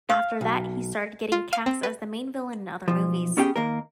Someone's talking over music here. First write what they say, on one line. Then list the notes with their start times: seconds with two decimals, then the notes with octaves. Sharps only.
After that, he started getting cast as the main villain in other movies.
0.10 F5
0.41 B1
1.32 F4
1.53 F5
1.66 C4
1.83 B4
2.88 B1 E2 F3
3.37 B3 C#4 G4 G#4 F5 G5
3.56 D#2 A#3 A#4